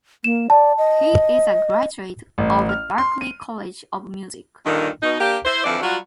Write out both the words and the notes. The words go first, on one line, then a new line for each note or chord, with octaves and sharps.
He is a graduate of the Berklee College of Music.
A#3 E7
D5 A5
D#5
A1
F6
C6
D#7
G2 A#2 D3 D#3
B2 D#4
A#3 D4 G4
E4 C5
F2 D3 E3 F3 D5
F#3 G3 F4 F#4